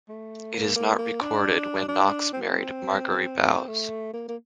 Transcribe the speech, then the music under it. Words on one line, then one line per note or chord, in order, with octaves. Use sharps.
It is not recorded when Knox married Margery Bowes.
A3
A#3
A#3
A#3
D4
D4
C4
A#3
C4
A3
A#3
A#3